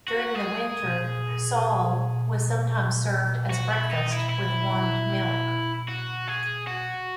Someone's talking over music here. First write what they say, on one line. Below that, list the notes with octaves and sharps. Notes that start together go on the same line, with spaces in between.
During the winter "soll" was sometimes served as breakfast with warmed milk.
F#4
G#4
F#4
E4
D#4
E4
E4
F#4
G#4
F#4